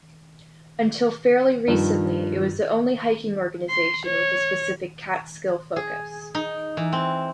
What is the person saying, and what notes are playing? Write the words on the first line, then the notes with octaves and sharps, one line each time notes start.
Until fairly recently it was the only hiking organization with a specific Catskill focus.
G2 D#3 F3
C6
C#5
G#4
D#4
E3
C4